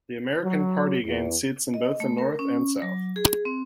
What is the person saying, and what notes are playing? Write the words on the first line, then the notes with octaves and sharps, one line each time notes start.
The American Party gained seats in both the North and South.
F#3
E2
D#5
A3
A#4
C#4
F#3
G#4
C4